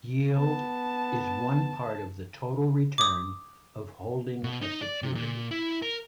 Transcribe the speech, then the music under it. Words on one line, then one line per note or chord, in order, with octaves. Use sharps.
Yield is one part of the total return of holding a security.
B3 A5
D6 D#6
B2
D#4
D5
C3
A#2
E4
A#4